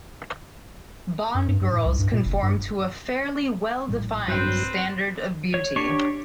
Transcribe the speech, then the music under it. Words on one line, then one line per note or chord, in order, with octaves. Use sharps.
Bond girls conform to a fairly well-defined standard of beauty.
F#2
G2
G2
A2
C2
G2
A#2
F#1
G2
A#1 A2 G3
G2 F#3 C4 B4 C5
C#5
D4 G4 C#5 C#6